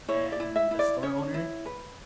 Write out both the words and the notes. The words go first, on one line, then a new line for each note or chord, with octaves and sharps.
and the store owner"
E4 C#5
D5
E4
E5
E4
D5
C#4 C#5
E4
B4